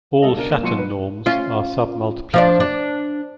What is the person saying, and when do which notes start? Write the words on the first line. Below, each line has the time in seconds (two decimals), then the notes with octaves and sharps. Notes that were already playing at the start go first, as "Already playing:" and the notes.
All Schatten norms are sub-multiplicative.
0.22 G3 A4 D#5
0.35 B2 D4 A#4
0.51 A#3 E7
0.62 B2 F#3 F4 C6 C#7 D#7
0.78 B4
1.26 C#4 F4
2.34 F3 D4 D5
2.60 D4